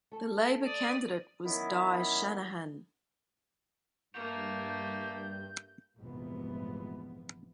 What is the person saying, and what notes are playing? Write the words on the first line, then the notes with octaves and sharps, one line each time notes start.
The Labor candidate was Di Shanahan.
A3 A4
D5 D#6
D#3 E3 F#3 B3 C#4 E4
G2 A3 A#3 G6
F1 A#1 G#2 E3 F3 B3